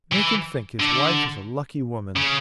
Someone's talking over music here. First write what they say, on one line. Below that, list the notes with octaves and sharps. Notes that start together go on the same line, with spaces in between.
Make him think his wife is a lucky woman.
E3
D3
C#3